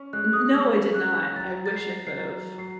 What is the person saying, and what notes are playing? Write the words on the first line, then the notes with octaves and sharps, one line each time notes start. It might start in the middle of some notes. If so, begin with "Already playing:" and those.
N no, I did not, I wish I could have.
Already playing: C#4
G#3 F#6
D#6
C#4 E6
C#4 F#6
F#3 A6
A6
F#3 C7
C7
F#3 A6
F#3 C7